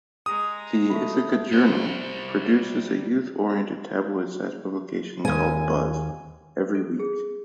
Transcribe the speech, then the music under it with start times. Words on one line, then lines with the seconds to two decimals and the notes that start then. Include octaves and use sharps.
"The Ithaca Journal" produces a youth-oriented tabloid-sized publication called "Buzz" every week.
0.26 G#3 A#5 D#6
0.90 A3 B5
1.52 G3 C5
5.25 D#2 G#5
6.75 A4
7.00 G#4